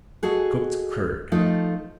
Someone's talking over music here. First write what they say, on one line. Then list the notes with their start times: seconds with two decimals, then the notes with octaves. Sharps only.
Cooked curd.
0.23 F#4 G#4 A4 D#5
1.32 F3 A3 D#4